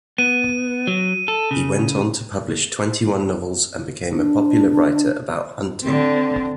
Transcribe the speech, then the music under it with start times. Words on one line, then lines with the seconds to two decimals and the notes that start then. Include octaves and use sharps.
He went on to publish twenty-one novels and became a popular writer about hunting.
0.18 B3 D#7
0.87 F#3
1.28 A4
1.51 C#3
4.13 D4
5.83 D3 C4